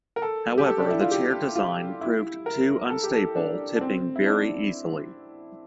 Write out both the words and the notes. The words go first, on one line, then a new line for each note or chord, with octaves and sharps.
However, the chair design proved too unstable, tipping very easily.
A#4
A4
G4
A4
D4
E4
F4
G4
F4
E4
A#4
A4
G4
A4
D4
D4
C4
E4
D4